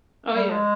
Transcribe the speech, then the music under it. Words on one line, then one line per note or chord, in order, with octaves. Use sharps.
Oh, yeah.
G3
G#3